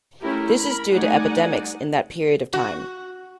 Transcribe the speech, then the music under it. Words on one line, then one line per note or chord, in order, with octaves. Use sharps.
This is due to epidemics in that period of time.
A3 C#4 E4 G4 A#4
A#4 B5
G3 A3 D#4 D5 F#5 G#5
F#4